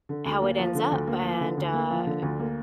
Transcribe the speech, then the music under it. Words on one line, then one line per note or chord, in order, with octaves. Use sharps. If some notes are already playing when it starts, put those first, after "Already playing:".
how it ends up and, uh,
D3
D2
A#3
F3
D3
D2
A#3
F3
D3
D2
A#3
F3
D3
D2
A#3